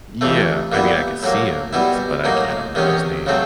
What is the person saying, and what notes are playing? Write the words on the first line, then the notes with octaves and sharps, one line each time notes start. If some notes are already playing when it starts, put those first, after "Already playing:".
Yeah. I mean, I could see him, it's but I c I don't remember his name
C#2 C3 E3 A3
A#2 G3 B3 E4
A2 F#3 A#3
B2 G3 B3 E4
A2 F#3 A#3 D#4
E2 C3 D#3 G#3 C#4
C#3 F#3 A3 C4